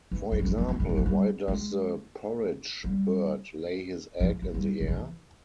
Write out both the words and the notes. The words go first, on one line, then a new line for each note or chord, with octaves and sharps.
For example, Why does the Porridge Bird lay his egg in the air?
E3
G#3
G3
F3
F3
E3
C#3
G3
F3
G3
G#3
G3
F3
F3
G3
C#3
E3